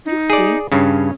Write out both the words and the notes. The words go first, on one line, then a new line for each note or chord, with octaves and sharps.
You'll see.
D#4
G#4 D5
G2 C#3 C#4